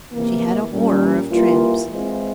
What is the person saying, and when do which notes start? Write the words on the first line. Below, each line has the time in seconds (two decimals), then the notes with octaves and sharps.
She had a horror of tramps.
0.13 E2 C3 E3 A#3
0.72 A#2 G3 C#4
1.30 E3 G3 A#3 F4
1.89 E3 G#3 C4 F4